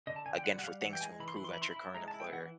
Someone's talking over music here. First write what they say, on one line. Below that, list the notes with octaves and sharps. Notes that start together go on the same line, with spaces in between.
again, for things to improve at your current employer,
D3 D#5
A5
D3 G#5
G5
G3 F#5
F#5
G3 F5
E3 F#5
G5
G#3 G#5
E3 B5
C6
E3 B5
C6
B5
E4 C6
B5
E4
G#3 A#5
A5
E4
G5
E3 F#5